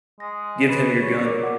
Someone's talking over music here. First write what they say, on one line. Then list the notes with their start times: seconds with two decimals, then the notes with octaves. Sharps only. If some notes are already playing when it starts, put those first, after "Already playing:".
Give him your gun.
0.20 G#3 A#6
0.69 G#4 B4
1.01 C#5
1.25 A#4 D5 D6
1.43 F#5 D6